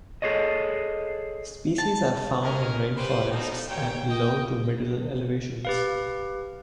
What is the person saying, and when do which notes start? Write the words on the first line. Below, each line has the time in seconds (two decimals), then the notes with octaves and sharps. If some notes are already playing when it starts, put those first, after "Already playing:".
Species are found in rain forests at low to middle elevations.
0.22 G#4 A4 C#5 D#5
1.78 A5
2.42 G2 G#3 C#4 A#4
2.97 G3 G4 B4 C5
3.32 B2 D3 F3 D#4
3.69 G#2 G3 C#5 G5
4.09 D#5 G5
5.65 G4 B4 F5